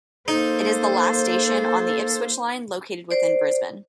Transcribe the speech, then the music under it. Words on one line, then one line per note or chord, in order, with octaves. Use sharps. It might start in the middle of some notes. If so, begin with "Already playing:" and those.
It is the last station on the Ipswich line located within Brisbane.
A#3 D#4 A4 C5
C5 D5